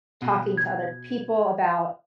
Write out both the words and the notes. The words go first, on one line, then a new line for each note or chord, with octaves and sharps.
talking to other people about
B2
G#6